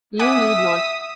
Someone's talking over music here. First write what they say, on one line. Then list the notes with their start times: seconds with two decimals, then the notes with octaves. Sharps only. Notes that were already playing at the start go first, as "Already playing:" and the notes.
You need not.
0.19 E5 F#5 G#5 D6 D#6 B6